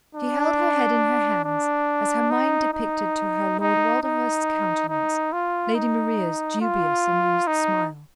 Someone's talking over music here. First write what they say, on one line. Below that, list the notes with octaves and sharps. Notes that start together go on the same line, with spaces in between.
She held her head in her hands as her mind depicted to her Lord Walderhurst's countenance, Lady Maria's dubious, amused smile.
D4
D4
D#4
D#4
D#4
D#4
D#4
F4
D#4
F4
D#4